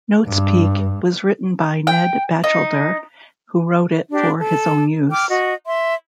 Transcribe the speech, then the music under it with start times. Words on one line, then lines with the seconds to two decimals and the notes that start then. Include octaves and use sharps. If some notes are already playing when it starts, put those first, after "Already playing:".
NotesPeek was written by Ned Batchelder, who wrote it for his own use.
0.25 G2
1.87 G5
2.44 D#4
4.12 D4 G4
4.39 A4
5.10 G5 D6 F6
5.30 F#4 D#5
5.66 E5 C6